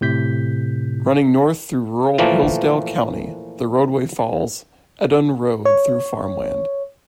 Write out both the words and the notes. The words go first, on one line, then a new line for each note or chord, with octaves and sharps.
Running north through rural Hillsdale County, the roadway follows Edon Road through farm land.
A2 C3 G6 B6
A#2 E3 F3 A3 A#3
C#5